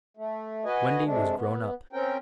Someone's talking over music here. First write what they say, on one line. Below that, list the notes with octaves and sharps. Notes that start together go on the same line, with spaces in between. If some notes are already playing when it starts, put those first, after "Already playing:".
Wendy was grown up.
A3
F#4 B4 D#5 G#5
C3 G#3 A3 D4
B3
C4 C#4 A#4 G5